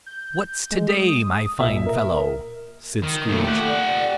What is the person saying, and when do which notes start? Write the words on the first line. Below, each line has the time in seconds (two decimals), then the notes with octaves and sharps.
"What's to-day, my fine fellow?" said Scrooge.
0.06 G6
0.71 G#3
0.89 D#6
1.60 A#2 E5
1.86 A#4
3.03 D#3
3.28 D#2 A#2 A3
3.44 G4 F#5
3.68 D5